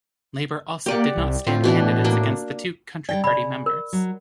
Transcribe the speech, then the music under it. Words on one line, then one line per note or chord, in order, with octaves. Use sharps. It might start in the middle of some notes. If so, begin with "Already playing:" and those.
Labour also did not stand candidates against the two Country Party members.
A#3 G4 D5 F#5
C2
A2 C4 F4
B2 E3 D4
A#3 D4
G3 D4 D5 G5
C#3 D5 B5
A#4
F#3